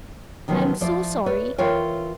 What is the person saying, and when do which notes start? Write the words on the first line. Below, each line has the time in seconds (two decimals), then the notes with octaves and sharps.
I'm so sorry.
0.48 C3 D#3 F3 F#3 B3 C#4
0.81 F3 E4 D5
1.26 B4 C#5 D5
1.58 E3 F4 A#4 C#5 F5 G5